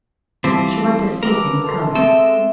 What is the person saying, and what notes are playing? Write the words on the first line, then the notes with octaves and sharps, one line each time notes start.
She liked to see things coming.
E3 F3 G3 C4
A#4 B4 D6 E6
A4 C5
E5
G#3 C4 A4